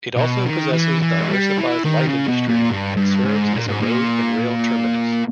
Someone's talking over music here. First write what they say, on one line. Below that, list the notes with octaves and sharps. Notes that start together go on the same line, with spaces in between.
It also possesses diversified light industry and serves as a road and rail terminus.
B2
D#3
E3
E3
G#3
G3
E3
D#3
C#3
B2
A#2
G2
G2
G#2
A#2
G#2
A#2